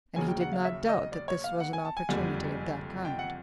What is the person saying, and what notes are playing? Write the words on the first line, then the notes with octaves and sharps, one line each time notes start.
And he did not doubt that this was an opportunity of that kind.
D#2 C#3 F#3 G#5
G5
F#5
F5
E5
D#5
D5
C#5
F5
F#5
G#5
A5
G#5
F#1 F2 D3 G3
G5
F#5